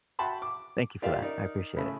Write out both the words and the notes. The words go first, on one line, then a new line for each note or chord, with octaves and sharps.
thank you for that. I appreciate it.
F#4 E5 G5 A5 B5 C6
D6
A#3 F4 G4 D5 E5 F5
D#4 A#4 D5
A2 C#3 A3